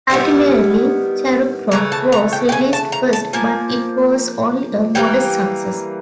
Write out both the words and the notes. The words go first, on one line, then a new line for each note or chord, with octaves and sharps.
Ultimately, "Cherub Rock" was released first, but it was only a modest success.
D#3 G3 B3 E4
C#3 E3 A3 A#5
A5
A#5
G5
G5
G#5
A5
A#5
A5
F3 A#3 G#5
E3 G3 A#3 G5